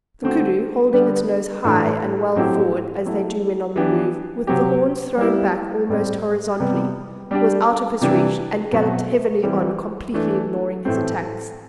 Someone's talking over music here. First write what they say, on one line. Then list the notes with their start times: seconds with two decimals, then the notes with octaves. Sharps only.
The koodoo holding its nose high and well forward, as they do when on the move, with the horns thrown back almost horizontally, was out of his reach and galloped heavily on completely ignoring his attacks.
0.22 D3 A3 C4 F#4
0.93 D3 G3 B3
1.64 A2 E3 A3 D4
2.35 A2 F#3 C4 E4 G4
3.06 F#3 A3 E4
3.76 E3 B3 D4 G4
4.47 C3 F#3 C4 G4
5.17 G3 B3 E4 G4
5.89 A2 G3 C4
6.60 C3 G3 B3
7.31 G3 D4 G4
8.01 C3 E3 G3 D4 G4
8.72 B2 F#3 C4 F#4
9.43 E3 G3 C4
10.14 E3 A3 D4
10.85 A2 E3 A3 C4